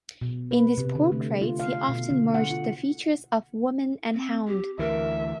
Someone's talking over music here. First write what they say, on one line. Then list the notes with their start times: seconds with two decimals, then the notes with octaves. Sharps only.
In his portraits he often merged the features of woman and hound.
0.21 B2
0.51 B4
0.78 C3
0.95 D3
1.12 A3
1.41 F4
1.59 F5
1.72 F5
1.89 B2
2.10 D3
2.34 F#5
2.51 F4
4.14 C4
4.47 G4
4.79 D2 E3 A#4 E5